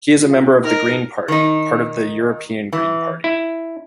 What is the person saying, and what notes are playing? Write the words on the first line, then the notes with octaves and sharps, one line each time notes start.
He is a member of the Green Party, part of the European Green Party.
F4
D#4 A#4
D#3 D#4
E3
E4